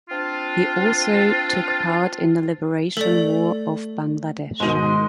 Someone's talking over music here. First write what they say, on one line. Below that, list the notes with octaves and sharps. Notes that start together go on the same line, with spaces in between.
He also took part in the Liberation War of Bangladesh.
C4 D4 F4
A3 A4 D5
G#2 B2 D#3 G#3 D#5